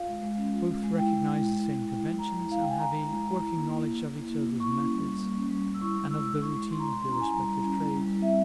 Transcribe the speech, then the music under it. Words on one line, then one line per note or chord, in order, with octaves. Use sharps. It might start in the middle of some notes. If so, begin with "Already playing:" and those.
Both recognise the same conventions, and have a working knowledge of each other's methods and of the routine of their respective trades.
Already playing: F4 F5
G#3
G#3
C#4
F4
G#3
G#3
E4 G5
G#3
G#3
E4
E4
G#3
G#3
E4
E4 A#5
G#3
G#3 F5
E4 G5
G#5
E4 A#5
G#3
G#3
E4
E4
A#3
A#3
E4
E4
A#3
A#3
E4
A#3 C#6
C#4
G3
G3
A#3
C#4
G3
G3
E6
E4 C#6
G#3
G#3 E6
E4
E4 C#6
G#3
G#3 C6
A#5
E4 C6
C#4 C6
A#5
E4 G#5
G3 A#5
G3
C#4
E4
G3
G3
C4 E5